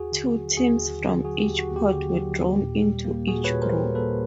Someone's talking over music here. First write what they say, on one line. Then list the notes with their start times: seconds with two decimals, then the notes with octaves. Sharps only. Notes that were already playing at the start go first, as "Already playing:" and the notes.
Two teams from each pot were drawn into each group.
Already playing: D#2 F#4 G#4
0.12 D3
0.35 F#3
0.57 D#2 F#4 G#4
0.80 D#2
1.02 D3
1.25 F#3 F#4 G#4
1.42 G4
1.47 D#2
1.59 F#4
1.70 D#2
1.76 G4
1.93 D3
2.15 F#3
2.37 D#2
2.60 A#2
2.82 G3
3.05 A#3
3.28 A#2 F#4 G#4
3.44 B4 C#5
3.51 A#2
3.62 A#4 C5
3.73 G3
3.95 A#3 A4 B4